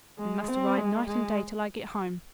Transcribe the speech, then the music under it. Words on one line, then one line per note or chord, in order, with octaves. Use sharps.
I must ride night and day till I get home.
G#3
C4
G#3
G#3